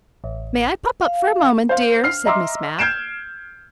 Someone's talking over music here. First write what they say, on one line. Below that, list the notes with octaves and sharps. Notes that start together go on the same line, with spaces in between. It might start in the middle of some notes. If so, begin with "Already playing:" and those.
"May I pop up for a moment, dear?" said Miss Mapp.
A1
F5
C5 F5
F6 C7
D#5 E5 A#5 C6 D6 E6
F6 G6 G#6 C7 D7 E7